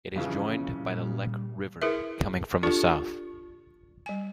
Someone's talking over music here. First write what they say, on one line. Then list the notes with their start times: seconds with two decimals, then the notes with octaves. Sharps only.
It is joined by the Lech river coming from the south.
0.16 F2 C#3 E3 C#4
0.72 A#2 G3
1.82 E4 G#4 A#4 B4 E5
2.63 D4 F4 G4 A4 D5 C#6
4.06 G3 G#5